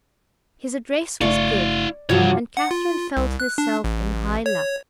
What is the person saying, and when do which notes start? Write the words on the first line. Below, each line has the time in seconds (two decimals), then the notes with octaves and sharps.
His address was good, and Catherine felt herself in high luck.
1.21 G1 C#3 A3 E4 D5 F5 C#6
2.09 G2 C3 E3 F3 F4 F#4 C#5
2.57 F#5
2.71 F4
3.17 C2
3.40 F#6
3.58 D4
3.84 A1
4.46 C#5